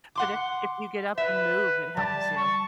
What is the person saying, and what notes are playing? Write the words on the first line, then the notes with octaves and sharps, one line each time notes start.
But if if you get up and move, it helps you.
F#5 C6 D6
B4 E5
G3 A5
C#6